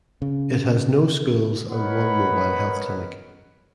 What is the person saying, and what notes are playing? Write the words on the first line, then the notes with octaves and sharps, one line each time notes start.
It has no schools and one mobile health clinic.
C#3
A#4 B4 C#5 D#5 F#5 B5